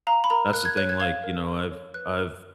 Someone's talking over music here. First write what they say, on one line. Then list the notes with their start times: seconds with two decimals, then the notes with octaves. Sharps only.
that's the thing, like, you know, I've I've
0.07 F5 A#5
0.24 B5
0.30 A#4 A#5
0.53 A#4 F#6
0.65 G#6
0.77 C#5 F#6
0.89 G#6
1.00 F5 G#6
1.24 A#4
1.47 A#4
1.71 C#5
1.94 B4 F#6